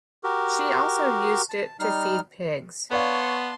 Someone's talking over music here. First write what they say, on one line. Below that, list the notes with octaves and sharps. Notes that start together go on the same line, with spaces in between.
She also used it to feed pigs.
F#4 G4 A#4
A5
G3 D#4 F6
B3 B4 C#5 D5 F5 A5 C6